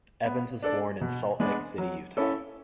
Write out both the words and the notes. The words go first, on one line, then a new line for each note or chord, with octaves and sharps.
Evans was born in Salt Lake City, Utah.
B3
D4 A4 D5
B2
G#3 B3 D4
F#3
C#4 E4 A4